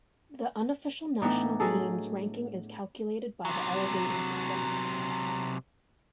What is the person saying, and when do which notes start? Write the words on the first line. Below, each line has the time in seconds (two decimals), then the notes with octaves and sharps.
The unofficial national teams ranking is calculated by the Elo rating system.
1.22 A2 E3 B3 D4 D#4
1.60 F#3 G#4 A4
3.45 C3 F#3